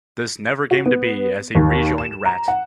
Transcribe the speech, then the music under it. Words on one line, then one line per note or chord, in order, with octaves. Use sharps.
This never came to be, as he rejoined Ratt.
F#4
B3
D#2
E7
A#5
F#5